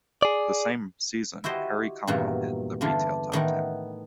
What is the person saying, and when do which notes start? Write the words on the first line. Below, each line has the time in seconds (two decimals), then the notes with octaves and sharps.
The same season, Perry Como hit the retail top ten.
0.22 G#4 D5
1.44 E4 F#4 G4 C5 D#5
2.07 E2 G2 A#2 D#3 F#3
2.81 E2 D3 E3 D4 F4
3.32 A2 D#3 E3 B3